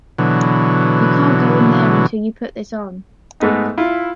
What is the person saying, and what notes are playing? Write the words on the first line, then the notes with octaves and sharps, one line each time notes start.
You can’t go in there until you put this on.
B2 D3 E3 F#3
G#2 A3 B3 D#4
E4 F4